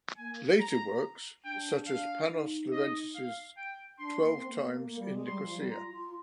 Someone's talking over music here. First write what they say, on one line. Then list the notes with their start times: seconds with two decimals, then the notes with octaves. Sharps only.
Later works, such as Panos Leventis' Twelve Times in Nicosia.
0.17 A#3 G#5
0.60 A#5
1.44 D4 G5
1.87 F5
2.29 D#4
2.72 D#5
3.15 F5
3.57 G5
3.99 D4 C6
4.20 A#3
4.34 C4
4.48 A#3
4.84 A#3
4.99 G3
5.12 G#3
5.26 G3 C6
5.41 F3
5.55 G3
5.69 F4 A#5
5.90 F4